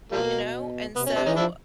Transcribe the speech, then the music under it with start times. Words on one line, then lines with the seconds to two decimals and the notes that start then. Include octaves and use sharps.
you know? And so,
0.11 B2 F3 G3 A#3
0.96 C3 B3
1.05 B2 C#4
1.16 C3 C4 D4
1.26 E3 C#4 D#4
1.36 F3 D4 E4